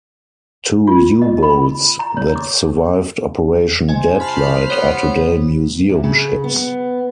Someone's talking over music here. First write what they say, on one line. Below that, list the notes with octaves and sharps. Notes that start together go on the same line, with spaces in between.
Two U-boats that survived Operation "Deadlight" are today museum ships.
F4
D#5
B5
A#5
C#5
D6
C2 C3 C5 D#5 G#5
A5 B5 F6 C7
B3 C#5
C3
C#3
B3